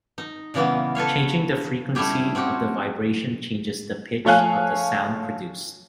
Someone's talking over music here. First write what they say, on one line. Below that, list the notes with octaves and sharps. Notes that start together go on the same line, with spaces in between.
Changing the frequency of the vibration changes the pitch of the sound produced.
D#4
A#2 C#3 E3 G3 A#3 B3
A4 B4 C#5 F5
G3 A3 C#4 E4 G4 G#4
C4 C#4 F#4 G4
F3 A3 C#5 F5 G#5 F#6